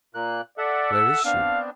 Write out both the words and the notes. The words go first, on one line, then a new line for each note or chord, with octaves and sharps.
"Where is she?"
A#2 A#3 F#6
A4 D5 E5 F#5
E6
B3 C4 D4 F5